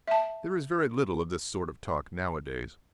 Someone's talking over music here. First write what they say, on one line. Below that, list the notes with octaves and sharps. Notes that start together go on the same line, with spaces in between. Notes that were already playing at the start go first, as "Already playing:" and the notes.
There is very little of this sort of talk now-a-days.
E5 A5